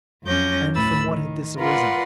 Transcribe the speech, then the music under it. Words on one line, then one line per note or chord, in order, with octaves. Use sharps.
And from what had this arisen?
F2 F#3 C#4 D6 G6 A#6
D2 A2 B4 B5 E6 A6
D#3
F4 A#4 B4 D5 F#5 C6